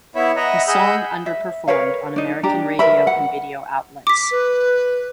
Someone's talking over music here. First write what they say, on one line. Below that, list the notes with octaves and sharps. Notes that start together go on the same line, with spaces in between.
The song underperformed on American radio and video outlets.
B3 E4 C#5 E5 B5
D#5 E5 F#5 A#5 B5
G#4 D#5 F#5 B5 E6 G6
E5
A#4 B4 C#5 F5
D4 D#4
D4 G4 A#5
A#4 B4 E5 B5
F#5
D6 B6
B4